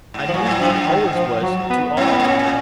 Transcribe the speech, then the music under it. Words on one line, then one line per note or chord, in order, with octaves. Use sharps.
I knew she always was, to all.
G#2
F3
A#2 F#3
G#2
F#2 F3
G#2
D#3
F3
F#3
B3
G#2 C#4
B3
G#2
A#2 C#4
A#2